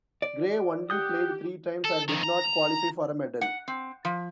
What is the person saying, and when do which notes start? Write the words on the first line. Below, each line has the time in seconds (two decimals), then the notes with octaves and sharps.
Gray only played three times and did not qualify for a medal.
0.22 D5
0.90 G4 F#5 G5 D#6
1.85 A4
2.08 F2 D#3
2.23 A#5
3.41 F#5
3.68 C4
4.05 F3